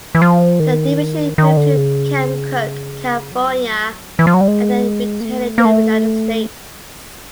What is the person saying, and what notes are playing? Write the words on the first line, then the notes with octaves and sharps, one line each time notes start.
The division moved to Camp Cook, California after returning to the United States.
E3
F3
D#3
D#3
D3
C#3
F#3
E3
F3
F#3
G3
G#3
A#3
A3
A#3
A3